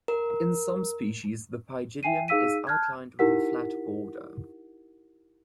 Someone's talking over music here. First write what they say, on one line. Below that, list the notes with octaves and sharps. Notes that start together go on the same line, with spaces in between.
In some species the pygidium is outlined with a flat border.
A#4
E5 G5 G#5 C7 D#7
D#4 G#4 F5 E6 B6 D#7
A5 F6 F#6 G#6
D#4 E4 G4 A#4 F#5 B6